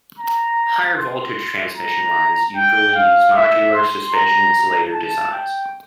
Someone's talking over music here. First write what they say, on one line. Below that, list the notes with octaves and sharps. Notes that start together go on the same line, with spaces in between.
Higher voltage transmission lines usually use modular suspension insulator designs.
A#5
C6
A#5
G5
F5
E5
C6
A#5
A5
G5